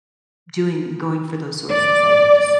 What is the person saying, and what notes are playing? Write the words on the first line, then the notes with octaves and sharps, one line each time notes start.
doing going for those sources, like just
D5